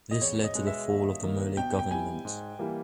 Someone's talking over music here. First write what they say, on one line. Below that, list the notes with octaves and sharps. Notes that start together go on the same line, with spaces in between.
This led to the fall of the Mollet government.
D#5
E2 C#5
D#5
B2 G#3 B3
E5
D#2
D#3 A#3
B2 G5
G5
G3 B3 E4 G#5
G#2
E3 G3 A#3 E4